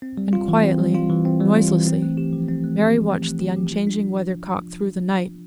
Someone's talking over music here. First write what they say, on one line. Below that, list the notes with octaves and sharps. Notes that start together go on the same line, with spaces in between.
And quietly, noiselessly, Mary watched the unchanging weather-cock through the night.
C4
G3
F4
E3
C4
G3
F4
E3
C4
G3
F4
E3
C4
A3
G4
F3
C4
A3
G4
F3
C4
A3
G4
F3
F4
D4